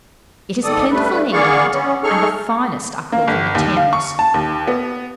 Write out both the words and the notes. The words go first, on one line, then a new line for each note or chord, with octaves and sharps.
It is plentiful in England, and the finest are caught in the Thames.
G#2 D#3 A4 D5 D#6
G3 A3 B4
A#3 B3 G#4 D5 F5 C#6
B3 C#4
D#4 G#4 A4 C#6 F6
A#3
G1
D#2
F5
C#6
A5
D#2
B3